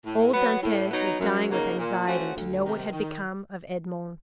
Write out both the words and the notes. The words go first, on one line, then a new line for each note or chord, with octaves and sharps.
Old Dantes was dying with anxiety to know what had become of Edmond.
A2
F#3 B3
A2
F#3 B3 D#4
F#2
C#3 F#3 A#3 D#4
A#2
F3 A3 C#4 F#4
D2
C3 D#3
D#3